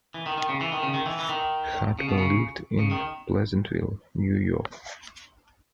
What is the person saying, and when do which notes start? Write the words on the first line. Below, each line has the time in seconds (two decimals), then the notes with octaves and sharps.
Hartwell lived in Pleasantville, New York.
0.14 E3
0.26 D#3
0.38 D#3
0.49 C#3
0.61 E3
0.72 D#3
0.83 C#3
0.94 D#3
1.06 E3
1.20 E3
1.29 D#3
1.99 C#3
2.09 B2
2.18 C#3
2.79 C#3
2.91 D#3